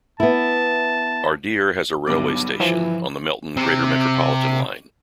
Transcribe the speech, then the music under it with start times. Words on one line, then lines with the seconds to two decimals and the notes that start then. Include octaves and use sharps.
Ardeer has a railway station on the Melton greater-metropolitan line.
0.20 B3 E4 A5
2.07 B1 G2 D3 D6
2.60 E3 F3
3.57 C3 C4